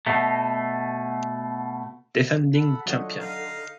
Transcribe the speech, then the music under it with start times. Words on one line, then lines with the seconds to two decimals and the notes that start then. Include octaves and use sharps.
Defending champion.
0.07 B2 A3
2.54 A4 F#5 B5
2.86 D3 F#3 F4 C#5 D#5 F#5
3.20 D#4 F5 A#5